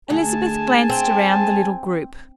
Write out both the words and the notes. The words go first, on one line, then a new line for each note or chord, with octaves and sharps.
Elizabeth glanced around the little group.
D2 G#4 G#5 A5
C4